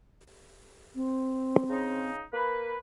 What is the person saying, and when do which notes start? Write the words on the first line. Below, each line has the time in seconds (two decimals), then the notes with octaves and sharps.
Ford introduced flexibility into mass production, so that Fordism could continue to evolve.
0.95 C4
1.69 C#3 D#4
2.33 A#3 B4